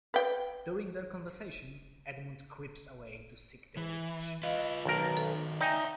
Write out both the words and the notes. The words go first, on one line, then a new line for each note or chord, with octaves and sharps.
During their conversation, Edmund creeps away to seek the Witch.
B4 G5
E3
F4 B4 D#5 F5
B1 D#3 F#4 A#4
A4
D#4 D5 E5 G5 G#5 A#5